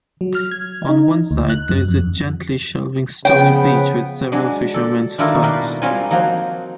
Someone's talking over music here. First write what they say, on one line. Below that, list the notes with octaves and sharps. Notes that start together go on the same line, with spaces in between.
On one side there is a gently shelving stony beach with several fishermen's huts.
F#3
F6
G#6
D#4
D2
F#6
F#2
F2
C#3 F3 B3 C#5 G5
F#3 G#3 D4
A4 D5
D#3 D4 E4 F4 A4 A#4
B2 A#3 A#4 B4 D5 G5
G3 C4 F4 A#4 C#5 G#5
F3 F#3 A#3 D#4